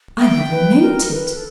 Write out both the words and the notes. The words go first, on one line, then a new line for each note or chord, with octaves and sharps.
I never meant it!
E5 G5
B4
A#4
B4
A4